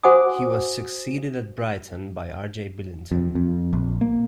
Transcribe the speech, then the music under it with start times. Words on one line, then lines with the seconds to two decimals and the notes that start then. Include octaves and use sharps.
He was succeeded at Brighton by R. J. Billinton.
0.03 F#4 C5 F#5 G#5 D6 D#6
3.12 F2
3.35 F2
3.73 A#1
4.01 A#3